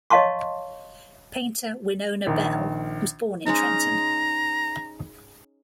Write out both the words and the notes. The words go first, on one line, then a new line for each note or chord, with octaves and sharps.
Painter Wenonah Bell was born in Trenton.
C#5 D#5 F5 A5 C6 C#6
A#1 D#3
G#3 C#4 D#4 A#5